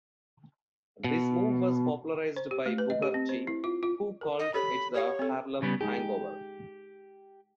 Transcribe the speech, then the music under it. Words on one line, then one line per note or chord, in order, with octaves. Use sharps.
This move was popularized by Booker T, who called it the "Harlem Hangover".
B2
C5
G4
A3
B4
D#5
G4
C4
C5
E4
F4
F4
A#4
D#5
G4 A4 C#5 B5
G4 C#5 F5
C4 A4
C#3 G3 B3
G#3 D#4 G4 G#4